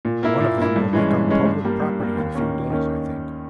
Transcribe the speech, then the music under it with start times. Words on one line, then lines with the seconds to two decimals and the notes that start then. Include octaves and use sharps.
One of them will become public property in a few days, I think.
0.05 A#2
0.23 A#3 E4
0.40 A#2
0.58 A#3 E4
0.76 G2
0.93 E3 G#3 C#4
1.11 G2
1.28 E3 G#3 C#4
1.46 G2
1.64 G3 A#3
1.82 G2
2.00 G3 A#3
2.17 D#2
2.35 D#3 A#3 C#4
2.53 D#2
2.70 D#3 A#3 C#4